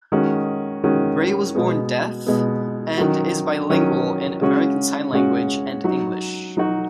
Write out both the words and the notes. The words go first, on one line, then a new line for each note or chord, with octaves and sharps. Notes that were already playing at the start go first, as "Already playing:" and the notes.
Bray was born deaf and is bilingual in American Sign Language and English.
D#3 G#3 C#4 F#4
D#3 G#3 C#4 F#4
B2 G#3 B3
B2 G#3 B3
D#3 F#3 C#4 F#4
D#3 F#3 C#4 F#4
C#3 G#3 C#4 F#4
C#3 G#3 C#4 F#4
F#3 D#4 F#4
F#3 D#4 F#4